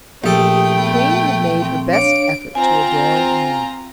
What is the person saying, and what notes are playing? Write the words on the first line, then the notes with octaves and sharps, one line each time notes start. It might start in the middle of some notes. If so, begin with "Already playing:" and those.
The Queen had made her best effort to adorn Enide.
A#1 A3 G4 A4 G5 D#6
B3
C4
D4 C#5 F5 D7
C4 F4 G#5 A#5